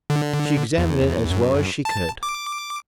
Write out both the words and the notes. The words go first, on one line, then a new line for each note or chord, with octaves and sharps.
She examined it as well as she could.
D3
E2
F#2
A5
D6